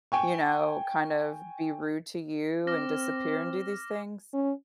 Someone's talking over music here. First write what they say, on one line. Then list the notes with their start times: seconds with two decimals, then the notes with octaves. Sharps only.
you know, kind of be rude to you and disappear and do these things?
0.12 G5 G#5 C#6
2.67 C4 D6 F6 A#6
4.34 C#4